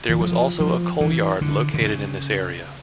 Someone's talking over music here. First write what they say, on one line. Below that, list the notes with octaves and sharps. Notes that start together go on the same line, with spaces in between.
There was also a coal yard located in this area.
E3
F3
F3
E3
D3
D3
C#3